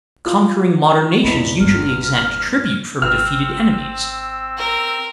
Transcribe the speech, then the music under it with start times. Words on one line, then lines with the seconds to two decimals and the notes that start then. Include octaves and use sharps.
Conquering modern nations usually exact tribute from defeated enemies.
0.26 F4
1.23 E2 D#4 F4 B5
1.61 G1 F6
3.02 G#1 C4 E6 F6
4.58 A#4